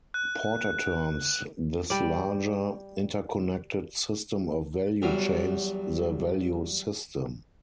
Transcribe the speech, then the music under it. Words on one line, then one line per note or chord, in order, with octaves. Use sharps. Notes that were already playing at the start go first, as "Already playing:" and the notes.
Porter terms this larger interconnected system of value chains the "value system".
F#6
G3 D5
E2 F#3 G3